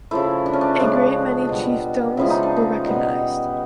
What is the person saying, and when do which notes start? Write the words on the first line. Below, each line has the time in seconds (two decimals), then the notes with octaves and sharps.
A great many chiefdoms were recognized.
0.11 C#3 F3 A3 E4
0.46 D4
0.53 C#4
0.61 D4
0.80 C#3 F3 G#3 D4
1.49 B2 G3
2.17 C#3 F3 G#3 E4
2.30 D#4
2.43 D4
2.56 D#4
2.86 B2 G3